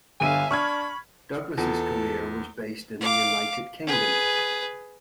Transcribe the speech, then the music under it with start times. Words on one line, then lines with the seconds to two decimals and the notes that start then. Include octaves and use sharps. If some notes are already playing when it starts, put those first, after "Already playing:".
Douglas's career was based in the United Kingdom.
0.20 G1 D3 E5 F5 G#5 D#7
0.51 D4 B5 C#6 F6 G#6
1.58 E2 F4 A4
3.01 F5 D6
3.87 G#4 B4